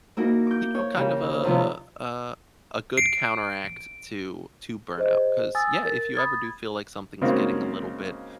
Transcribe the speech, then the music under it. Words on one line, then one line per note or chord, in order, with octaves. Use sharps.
you know, kind of a a a good counteract to to burnout. 'Cause yeah, if you ever do feel like something's getting a little bit,
A#3 D#4 E4 F#4 A#4
D6 G6
C#5
C#3 E3 G4 A#4
C3 D#3 F3 B3
C7 D7
G#4 C5 D#5
G#5 D#6 E6 A6
A#4 A6
B5 D#6 G#6 A6
C#3 G#3 A#3 C4 D#4 F#4